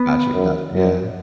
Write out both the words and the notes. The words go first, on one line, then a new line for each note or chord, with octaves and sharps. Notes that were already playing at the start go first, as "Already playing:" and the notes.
Gotcha, gotcha. Yeah.
Already playing: B3
F#2
F#2